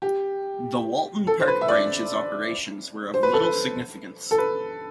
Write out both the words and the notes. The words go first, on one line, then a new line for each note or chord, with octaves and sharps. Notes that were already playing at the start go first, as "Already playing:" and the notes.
The Walton Park Branch's operations were of little significance.
G4
A4
C5
B4
E5
D5
C5
B4
A4
B4
A4
B4